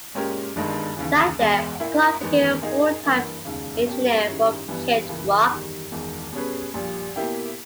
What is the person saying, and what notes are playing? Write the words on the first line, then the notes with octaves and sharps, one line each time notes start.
That year, Clark became a full-time engineer for Kid Rock.
A#2 G#3 C#4 G4 A#4
G1 G2 D#3 G#3
D#2 C#3 E3
E2 B2 G#3
A#2 A#3 E4
E2 D#3 G#3 B3
A#2 A#3 D#4 G#4
G2 E3 A#3
E1 D#2 C#3
B2 A#3 C#4 G4
G#2 D#3 G3 C#4 E4
G1 G2 E3 G3 B3
C#2 C#3 E3 A#3
E2 D#3 G3
E1 E2 D#3
B2 G3 C#4 G#4 B4
A#1 A#2 G3
B2 A#3 E4 G4